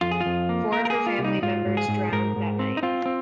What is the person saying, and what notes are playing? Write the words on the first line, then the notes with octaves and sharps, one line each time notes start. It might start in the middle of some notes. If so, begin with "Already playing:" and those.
Four of her family members drowned that night.
F2 F4
G#4
F4
F2
A#3
A#3 A#4
A#4
A#3 G#4
F4
C2
D#4
G#2 F4
G#2
G#4
G#2
G#2 A#4
G#2
C4
D#4
C4 F4
C4